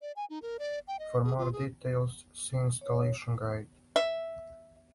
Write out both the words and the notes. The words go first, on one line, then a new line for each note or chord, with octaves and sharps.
For more details, see the Installation Guide.
D5
G#5
D#4
A#4
D5
G5
D#5
G#4
F4
G#4
C#5
E5